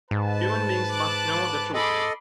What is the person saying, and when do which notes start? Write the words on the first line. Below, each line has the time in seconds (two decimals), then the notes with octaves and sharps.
Human beings must know the "Truth".
0.11 G#2 B4 A5
0.90 D6 F#6
1.74 G#4 A4 D#5 B5 C6 D6